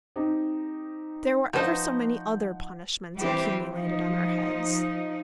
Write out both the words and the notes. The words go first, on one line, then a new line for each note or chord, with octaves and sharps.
There were ever so many other punishments accumulated on our heads.
C4 D#4 G4
F3 D#4 F#4 B4 C5 F#5 G6
E3 G3 C4 G4
F3 D#4